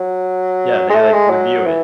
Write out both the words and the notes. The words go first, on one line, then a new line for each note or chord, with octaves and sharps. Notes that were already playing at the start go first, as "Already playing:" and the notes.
Yeah, they, like, review it.
Already playing: F#3
G#3
A3
G#3
F#3
E3